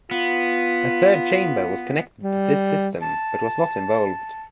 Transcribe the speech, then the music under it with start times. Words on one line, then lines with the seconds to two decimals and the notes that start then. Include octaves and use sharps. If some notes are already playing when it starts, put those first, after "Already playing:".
A third chamber was connected to this system but was not involved.
0.11 B3 F4
2.23 G3
3.02 A5